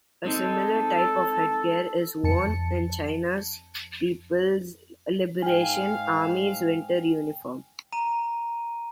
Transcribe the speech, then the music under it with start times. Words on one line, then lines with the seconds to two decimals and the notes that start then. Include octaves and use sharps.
A similar type of headgear is worn in China's People's Liberation Army's winter uniform.
0.25 G#3 C4 D#4 A4
2.24 F2 A5 C#7
5.42 G#2 F5 G5 G#5
7.92 A#5 D#7